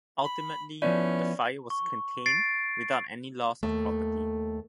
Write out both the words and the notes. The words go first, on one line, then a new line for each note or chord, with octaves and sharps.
Ultimately, the fire was contained without any loss of property.
B5
F3 B3 C#4 E4 D5
C#6
A6 C7 D7
D#2 A3